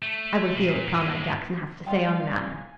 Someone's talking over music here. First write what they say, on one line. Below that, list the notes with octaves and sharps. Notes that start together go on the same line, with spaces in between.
I will hear what Comrade Jackson has to say on the matter.
A3
A#2
G2 G#3
G3 F4 F5 G5
G#5